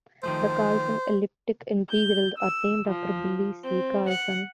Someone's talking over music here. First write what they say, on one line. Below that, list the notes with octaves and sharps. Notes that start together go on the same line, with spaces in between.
The Carlson elliptic integrals are named after Bille C. Carlson.
D#3 F3 A3 C5
G6
E6
F3
C4
F#5